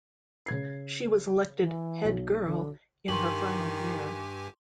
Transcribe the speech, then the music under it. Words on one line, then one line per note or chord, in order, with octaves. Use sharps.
She was elected Head Girl in her final year.
C#3 G#6 C7
E3
B1
D3
G2 D#3 G4 G#5 C6 C#6 F#7